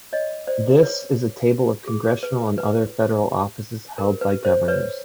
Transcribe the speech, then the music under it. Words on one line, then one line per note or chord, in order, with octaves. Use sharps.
This is a table of congressional and other federal offices held by governors.
C#5 D#5
C5 D5
B4 C#5
G#4
B4
B4
A#4
B4
C5
B4 C#5